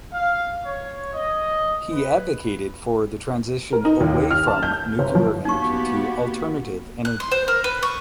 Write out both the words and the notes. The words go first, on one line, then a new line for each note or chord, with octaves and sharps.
He advocated for the transition away from nuclear energy to alternative energy.
F5
C#5
D#5
B4
A#4
D#4
D#2
F6
A5
G6
G1
F3
A#3 B3 D#4 F#4 G4 C#6
F#6
C6
C5
A#4
B4
C#6